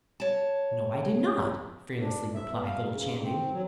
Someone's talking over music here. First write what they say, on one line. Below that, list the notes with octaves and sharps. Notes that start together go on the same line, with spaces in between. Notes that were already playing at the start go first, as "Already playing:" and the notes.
"No, I did not!" fearlessly replied little Channing.
C#5 A5
D4
E5
B3
F5
C#3
C4
F#3